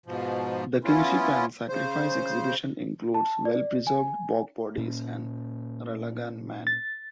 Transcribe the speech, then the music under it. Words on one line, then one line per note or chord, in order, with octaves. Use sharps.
The Kingship and Sacrifice exhibition includes well preserved bog bodies and Ralaghan Man.
G#2 B2 F3
B3 C#4 E4 F4
C#3 C5
A5
D5
G#5
A#2 A#3 C#4
A6